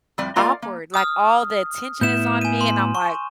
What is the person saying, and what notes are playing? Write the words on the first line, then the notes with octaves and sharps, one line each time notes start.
awkward, like, all the attention is on me, and I'm, like
F2 A2 G3 D5
A#3 F4 A#4 D5 D#5 F5
A#3
D#6 F6
A2 B3 E4 G6 E7
G#5 D#7
C6
C#6